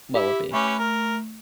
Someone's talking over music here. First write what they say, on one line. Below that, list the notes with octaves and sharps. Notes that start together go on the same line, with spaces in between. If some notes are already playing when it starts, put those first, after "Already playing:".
What would be?
E4 G4
A3 C#4 G4 B4
A#4